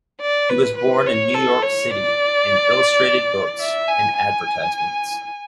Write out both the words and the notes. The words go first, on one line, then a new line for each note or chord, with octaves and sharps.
He was born in New York City and illustrated books and advertisements.
D5
B4
B4
C#5
A4
C#5
D5
E5
G#5
G#5